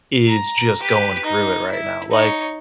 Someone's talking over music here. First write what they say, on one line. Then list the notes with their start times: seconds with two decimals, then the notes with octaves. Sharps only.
is just going through it right now, like
0.27 A#5
0.81 G4 B4
1.24 D#4
1.71 E4
2.11 D#4 C#5